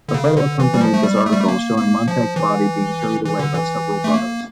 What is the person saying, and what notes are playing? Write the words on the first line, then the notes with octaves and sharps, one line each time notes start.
A photo accompanied this article, showing Montag's body being carried away by several brothers.
D3
C#3
D3
E3
G3
F3
A3
G3
A3
G3
A3
A#3
A#3
F3
E3
E3
D3
E3
A3
A#3